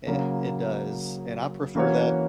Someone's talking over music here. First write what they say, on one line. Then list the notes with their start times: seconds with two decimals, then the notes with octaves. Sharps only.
It it does, and I prefer that.
0.07 C#3 F#3 A#3
1.75 E3 A#3 C#4 F#4 C#5